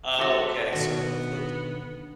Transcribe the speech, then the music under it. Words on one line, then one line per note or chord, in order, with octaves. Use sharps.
Oh, okay. So, close.
A3 F#4 A4
B2 D3 D#3 B3 F#4